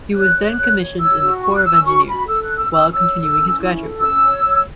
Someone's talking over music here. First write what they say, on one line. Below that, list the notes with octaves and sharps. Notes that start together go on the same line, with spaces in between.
He was then commissioned in the Corps of Engineers, while continuing his graduate work.
C#5 F#6
C#5
C#5
C#5
C#5 E6
F#4
C#4 C#6
F#6
C#4 E6
F#4 C#6
F#4 B5
A4 E6
F#6
C#4
E6
C#4 E6
C#5 E6
A4
C#4
E4
A4
C#4 E6
C#5
C#5